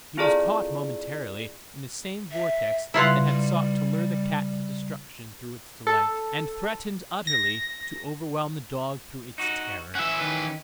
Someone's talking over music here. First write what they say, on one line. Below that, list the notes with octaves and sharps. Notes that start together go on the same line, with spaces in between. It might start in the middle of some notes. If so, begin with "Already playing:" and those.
He was caught momentarily in the same vortex that had sought to lure the cat to destruction through its delight, and threatened utterly to overwhelm the dog through its terror.
C4 E4 F4 G#4 A4 D5
E5
C#3 G3 E4 F4 B4 F#5 C6
G3
A4
A#6
D#4 F#4
E3 C#4 E5 F#5
D#3 B4